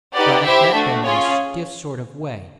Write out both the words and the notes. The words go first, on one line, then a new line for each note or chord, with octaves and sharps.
Brad-dock met them in a stiff sort of way.
D#4 G4 B4 D5 F#5
E4 G4 C5 E5 G5
A3 D4 F#4
C#4 F4 G#4 C#5